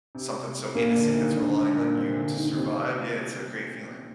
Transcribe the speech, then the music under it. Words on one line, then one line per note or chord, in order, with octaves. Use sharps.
something so innocent that's relying on you to survive, yeah, it's a great feeling.
C3
A#2 A#3
D3 D4
D#3 D#4
D3 D4
A#2 A#3
C3 C4
D3 D4
D#3 D#4
C3 C4